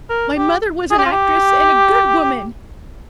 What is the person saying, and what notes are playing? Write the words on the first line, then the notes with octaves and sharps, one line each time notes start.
My mother was an actress and a good woman.
A#4
G4
G#4
G4
F4
G4